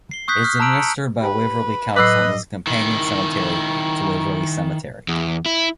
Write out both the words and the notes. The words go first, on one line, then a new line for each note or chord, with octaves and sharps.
It is administered by Waverley Council and is a companion cemetery to Waverley Cemetery.
C7 G7
C#6 D#6 F#6 G6 B6
F6
A5 A#5 E6 D7 F#7
C#7
G4 B4 G5 A5
A2 F#3 B4 D#5 B5 D6 E6 C7
D#3 E4
E2
E4